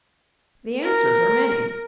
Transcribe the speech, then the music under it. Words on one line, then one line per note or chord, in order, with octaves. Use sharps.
The answers are many.
A#4